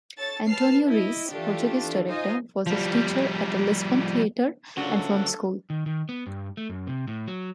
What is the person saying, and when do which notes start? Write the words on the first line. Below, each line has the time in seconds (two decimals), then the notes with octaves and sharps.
Antonio Reis, Portuguese director, was his teacher at the Lisbon Theatre and Film School.
0.18 A4 C#5 A5 A6
0.48 B4 A5 F6 C7
0.86 E4 D#5
1.30 E3 A3 D4 F4 G4
2.08 D#4 F4 C5 D#5 G#5
2.67 F3 G3
4.77 D2 C#3 F#3 D4 F4 F#4 A4
5.70 D#3
5.86 D#3
6.09 B3
6.27 G2
6.57 A3
6.69 F#2
6.87 C3
7.07 A2
7.27 F#3